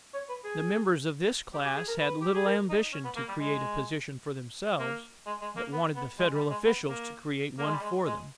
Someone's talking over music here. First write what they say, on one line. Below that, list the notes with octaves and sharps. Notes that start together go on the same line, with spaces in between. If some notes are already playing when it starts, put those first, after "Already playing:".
The members of this class had little ambition to create a position for themselves, but wanted the Federal officials to create one for them.
C#5
B4
G#4
G4
G4
G#4
A#4
B4
G4
G#4
A#4
D#4
C#4
B3
A#3
G3
G#3
A#3
G#3
G#3
A#3
B3
B3
G#3
G3
G#3
B3
A#3
A#3
G#3
G3
G#3
G#3